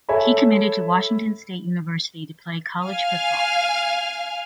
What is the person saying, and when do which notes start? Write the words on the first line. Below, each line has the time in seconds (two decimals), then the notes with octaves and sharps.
He committed to Washington State University to play college football.
0.09 A4 C#5 E5 G#5 B5
2.84 F5 G#5 F6